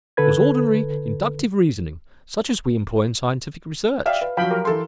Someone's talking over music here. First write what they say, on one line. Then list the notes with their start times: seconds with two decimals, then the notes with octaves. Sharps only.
It was ordinary inductive reasoning such as we employ in scientific research.
0.17 D3 A4 B4 G#6
4.06 D5 E5 F5 G5
4.21 B4
4.37 F3 F#3 F5 G5 B5
4.51 G4 A#4
4.65 E3 A4 C6